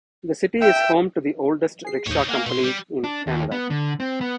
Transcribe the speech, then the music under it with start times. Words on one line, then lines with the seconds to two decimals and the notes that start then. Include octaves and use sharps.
The city is home to the oldest rickshaw company in Canada.
0.62 E5 G5
1.85 G#4 C7
2.07 D#2 A2 D#4 C#5
2.29 A#3 F5 F#5 G#5
2.46 B2 A3 C6
2.64 G3
3.04 D4
3.27 D#2
3.52 B3
3.70 D3
4.00 C4
4.21 B3